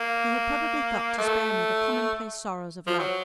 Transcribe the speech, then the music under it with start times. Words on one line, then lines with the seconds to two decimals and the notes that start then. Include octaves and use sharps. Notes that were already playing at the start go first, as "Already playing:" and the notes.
He had probably thought to spare me the commonplace sorrows of love.
Already playing: A#3
1.18 A3
2.87 F3
2.99 F#3